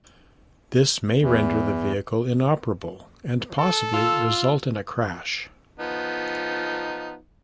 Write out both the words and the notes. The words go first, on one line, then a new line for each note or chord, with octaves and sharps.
This may render the vehicle inoperable and possibly result in a crash.
E2
A4
F4 E6
F3 B3 D#4